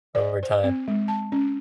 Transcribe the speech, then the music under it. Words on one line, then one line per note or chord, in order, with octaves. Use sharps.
over time.
D5
C5
C4
G#3
A5
C#4